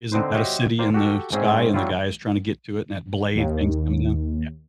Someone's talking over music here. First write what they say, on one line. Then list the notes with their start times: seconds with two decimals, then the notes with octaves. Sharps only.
Isn't that a city in the sky, and the guy is trying to get to it, and that blade thing's coming down, yeah.
0.12 D3 C4 D#4 B4 C5
0.35 F#4 G4 C5 C#5 D#5 E5
0.79 A#3 C5 D5 G5
0.94 F#4 G4 A4
1.32 G#2 C4 C#4 G#4 D#5 E5
1.74 F#3 G3 E4 F4
3.35 D#2